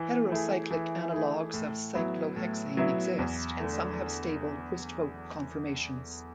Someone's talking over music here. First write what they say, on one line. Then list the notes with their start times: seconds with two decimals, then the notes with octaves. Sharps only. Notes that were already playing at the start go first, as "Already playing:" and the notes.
Heterocyclic analogs of cyclohexane exist, and some have stable twist-boat conformations.
Already playing: E3
0.30 A3 E4 G#4
0.71 E3
1.12 A3 E4 G#4
1.54 A2
1.95 F#3 B3 E4
2.36 A2
2.77 F#3 B3 E4
3.19 E2
3.60 D3 A3